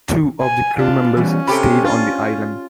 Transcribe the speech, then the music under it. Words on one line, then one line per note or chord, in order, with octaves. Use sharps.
Two of the crewmembers stayed on the island.
G#5
B2 D4 F4
E3 G3 B3 C#4
C3 G4 A4 B5
D4 F4